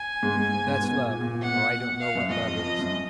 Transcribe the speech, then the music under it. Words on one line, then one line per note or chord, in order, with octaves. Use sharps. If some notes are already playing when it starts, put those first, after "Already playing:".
"That's love, or I don't know what love is."
Already playing: G#5
G#2
G#2
G#2
B2
A#2
A#2
B2 F#5
F5
F#2
F2 D#5
F2
F2
F#2